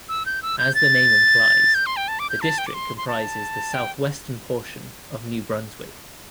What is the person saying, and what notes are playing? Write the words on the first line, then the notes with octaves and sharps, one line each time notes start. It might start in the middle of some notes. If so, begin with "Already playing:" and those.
As the name implies, the district comprises the southwestern portion of New Brunswick.
E6
G6
E6
G6
A6
G6
C6
G5
A5
D6
G6
A5
G5
D6
C6
C6
A5
G5